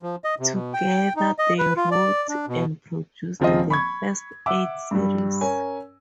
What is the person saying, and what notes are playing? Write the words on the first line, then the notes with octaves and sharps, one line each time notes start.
Together, they wrote and produced the first eight series.
F3
D#5
C3
B2
G5
D#4
D#5
B4
F4
D5
D4
B2
D#1 C#3 F3 C4 F4 D#5
B5 C#6 G#6
E5 F#5 D6 E6
G2 G3
C#4 A#4 G#5